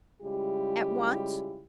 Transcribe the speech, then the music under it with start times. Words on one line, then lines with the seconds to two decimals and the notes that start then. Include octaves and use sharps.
At once!
0.22 C#3 G3 G#3 E4 F4 G4